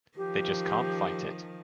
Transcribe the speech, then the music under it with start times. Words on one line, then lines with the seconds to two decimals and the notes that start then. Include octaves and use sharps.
They just can't fight it.
0.17 D#3 F3 G4